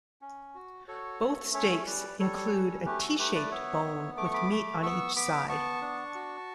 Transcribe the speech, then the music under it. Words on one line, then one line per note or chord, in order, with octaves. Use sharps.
Both steaks include a "T-shaped" bone with meat on each side.
C#4
F#4
F#4 A4 C#5
A3
C#4 C#5 E5
G3 B4 D5
G3 A4 C#5
C#4
A3 G4 B4
F#4 A4
A3 G4 B4
B4 D5
B3 C#5 E5
B3
A3 D6
C#6
B5 D6
A3
B3 C#6 E6
B3 B5 D6
B3 A5 C#6
D4
F#4